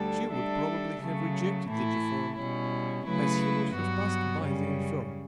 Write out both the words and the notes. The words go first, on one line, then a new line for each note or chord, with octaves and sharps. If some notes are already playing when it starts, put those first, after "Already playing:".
She would probably have rejected the deformed, as he would have passed by the infirm.
Already playing: D2 D3 G3 D4 A4
G3 D4 A4 E5
C#3 F#3 A3
A2 E3 A3 E4
B2 G3 C#4 E4
C#3 F#3 A3 E4 B4
G2 F#3 B3 F#4
F#2 C#3 G3 C#4